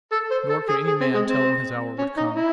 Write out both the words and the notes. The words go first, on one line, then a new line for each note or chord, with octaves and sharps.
Nor could any man tell when his hour would come.
A4
C5
A4
G#4
G#4
C4
G#3
C4
C#4
D#4
E4